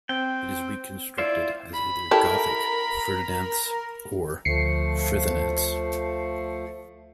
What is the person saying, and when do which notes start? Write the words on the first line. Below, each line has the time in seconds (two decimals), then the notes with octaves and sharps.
It is reconstructed as either Gothic "Ferdinanths" or "Frithunanths".
0.09 C4 G5
1.18 E4 F4 C5 D5
1.74 B5
2.11 E4 G4 A4 A#4
4.45 D2 F3 A3 C7 C#7